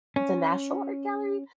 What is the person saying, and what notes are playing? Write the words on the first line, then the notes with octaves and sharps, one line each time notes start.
the National Art Gallery?
C#4